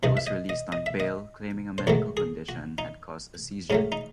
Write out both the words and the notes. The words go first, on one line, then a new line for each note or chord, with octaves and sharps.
He was released on bail claiming a medical condition had caused a seizure.
C2 C3 E3 D#5
E5
D#5
D#5
D#5
E5
D#5
C5
A1 G#2 D#3 F#3 A3 C#5
G#4
F#4
D#4
G#2 F#3 A3 C#4
D#4